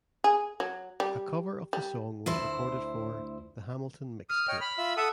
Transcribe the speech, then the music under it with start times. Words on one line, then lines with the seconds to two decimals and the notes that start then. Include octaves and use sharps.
A cover of the song was recorded for "The Hamilton Mixtape".
0.24 G#4
0.60 F#3
1.00 G3
1.73 G3
2.26 D2 E4 C5
4.29 D#6 F6
4.48 C#5 D#5 G5
4.60 B5 F6
4.78 F4 E5
4.97 A4 E5 F#5 D#6